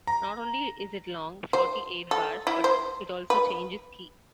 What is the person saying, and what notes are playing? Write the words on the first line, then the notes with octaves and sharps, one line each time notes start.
Not only is it long - forty-eight bars - but it also changes key.
A#5
C5
A4
E4
C5
B4